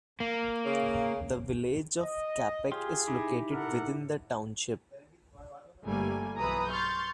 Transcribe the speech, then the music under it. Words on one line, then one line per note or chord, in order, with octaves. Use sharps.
The village of Capac is located within the township.
A#3
C#3
D#5
F4 G4 G#4 C6
D#4 E4 G4
A4 A#4 F#5
G1 G3 A3 A#3 G#5
B1 E3 B4 A#5 B5 D#6
C6 C#6 F6 G6 A6